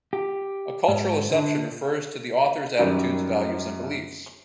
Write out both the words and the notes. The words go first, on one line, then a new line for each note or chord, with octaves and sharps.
A cultural assumption refers to the authors attitudes, values and beliefs.
G4
G#2
D3
F#2 D#3 F#3 G3